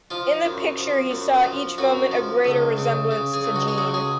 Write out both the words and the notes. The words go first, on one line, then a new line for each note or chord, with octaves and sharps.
In the picture he saw each moment a greater resemblance to Jeanne.
F3 F4
F#2
F3
F#2
F3
F#2 F#4
F3
C#2
C#3
C#3
G#4
C#2
F#4
G#4
C#2 F#4
G#4